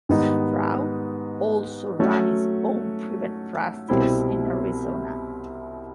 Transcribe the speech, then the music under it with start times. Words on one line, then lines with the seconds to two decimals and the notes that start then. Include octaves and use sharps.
Straub also ran his own private practice in Arizona.
0.09 G#2 D#3 G3 B3 D#4
1.99 F#3 A3 C#4 F#4
3.89 C2 B2 G3 C4 E4